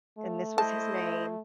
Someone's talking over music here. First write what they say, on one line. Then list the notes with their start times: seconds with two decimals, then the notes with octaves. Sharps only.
and this was his name,
0.18 A3
0.58 E4 C5 D#5 A5